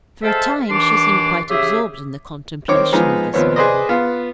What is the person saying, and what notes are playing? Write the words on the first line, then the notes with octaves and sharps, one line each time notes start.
For a time, she seemed quite absorbed in the contemplation of this man.
G#3 A4 C5 E5 F5 A5
D#2 E3 D4 C6 D6
C#3 G4 G#4 E5
D#3 C4 C#5 D6
F3 G#3 B3 D#4
D#2 F3 B3 C4 C#5
G#4 B4 C5 D5 D#5
B3 F4 F5